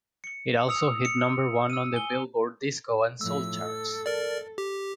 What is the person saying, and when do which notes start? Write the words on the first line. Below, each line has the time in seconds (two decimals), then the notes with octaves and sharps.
It also hit number one on the "Billboard" Disco and Soul charts.
0.24 C#7
0.68 D#6 E6 C#7 F7
1.05 C#7
1.70 E6 D#7
1.94 G#5 G7
3.21 A2 F3 E6
3.62 A4
4.06 A#4 D5
4.58 G4